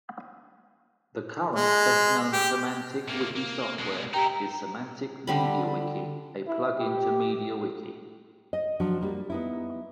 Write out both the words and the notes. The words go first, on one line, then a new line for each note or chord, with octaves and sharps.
The current best-known semantic wiki software is Semantic MediaWiki, a plugin to MediaWiki.
G#3
G4
C3 A#3
A#3
B2 G#3
D#4 E4 G4 G5 A#5
D3 G3 B5
E4
G4
D#5
F3 F#3 D4 F#4
G3 A#3
B3 D#4 E4